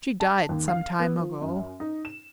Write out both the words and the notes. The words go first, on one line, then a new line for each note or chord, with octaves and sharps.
She died some time ago.
A5
D#2
F5
B3
F3
F#2
D#4
E7